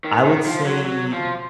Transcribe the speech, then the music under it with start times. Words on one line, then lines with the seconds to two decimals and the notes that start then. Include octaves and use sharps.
I would say
0.04 D#3
0.25 D#3
0.46 F3
0.66 F#3
0.85 F#3
1.13 F3